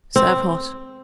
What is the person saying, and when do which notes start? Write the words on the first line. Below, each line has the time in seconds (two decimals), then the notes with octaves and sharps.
Serve hot.
0.16 C4